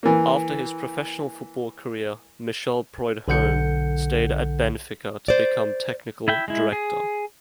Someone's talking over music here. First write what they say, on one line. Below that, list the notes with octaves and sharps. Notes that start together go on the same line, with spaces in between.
After his professional football career, Michel Preud'homme stayed at Benfica to become technical director.
E3 A#3
B1 D3 A4 F#5 G6 C#7
C5 D5
E4 E5 G5
G#3 E4
G#4